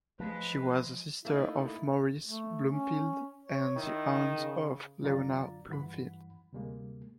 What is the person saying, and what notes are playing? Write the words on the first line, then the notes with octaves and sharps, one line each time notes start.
She was the sister of Maurice Bloomfield and the aunt of Leonard Bloomfield.
F3 G#3 B4
A3 A#3 D#4 E4
A3
C#4
C#5
D#3 E4
C#3
F#2 D3 F4 D5 A#5 A6
G2 E3 F#5 B5
D2 C3 G3 G#3 A#3